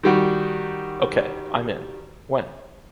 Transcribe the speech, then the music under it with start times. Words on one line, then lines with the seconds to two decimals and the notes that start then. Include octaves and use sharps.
Ok, I’m in. When?
0.03 D#3 G3 F#4